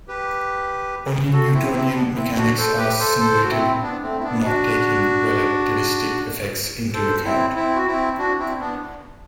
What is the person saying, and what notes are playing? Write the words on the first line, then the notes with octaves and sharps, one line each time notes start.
Only Newtonian mechanics are simulated, not taking relativistic effects into account.
G4 B4
F#4 A4
C4 E4
C4 E4
B3 D4
C4 E4
D4 F#4
A4 C5
G4 B4
A4 C5
A4 C5
F#4
C4 E4
B3 D4
A3 C4
E4
B3 D4
D4 F#4
A4 C5
C4 E4
C4 E4
F#4
C4 E4
D4 F#4
C4 E4
B3 D4